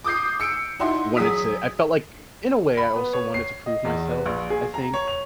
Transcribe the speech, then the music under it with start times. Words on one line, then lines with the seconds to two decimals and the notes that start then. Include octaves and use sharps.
wanted to I felt like, i in a way, I also wanted to prove myself, I think.
0.04 D6 D#6 G6 C7
0.40 E6 C#7 D7
0.79 D#4 E4 F#4 C6
1.17 F#3 G#4 D#6 B6
2.77 B5
2.96 B3
3.13 C#5
3.34 C7
3.66 D#5
3.85 E2
4.11 B4
4.26 A#1
4.50 G#4
4.74 A#5
4.94 C#5
5.08 F7